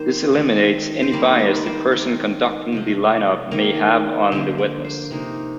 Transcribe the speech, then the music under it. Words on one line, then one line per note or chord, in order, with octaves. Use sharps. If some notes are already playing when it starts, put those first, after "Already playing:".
This eliminates any bias the person conducting the lineup may have on the witness.
Already playing: D#3 G3 A#3 A#4 C5
D#3 A3
C5
D#3 G3 A#3 D5
C5
D5
C5
D#3 A3 A#4
C3 F3 A3
D#3 A#3 A#4
D3 F3 A#3 C5
D5
C5
C3 F3 A#3 D#4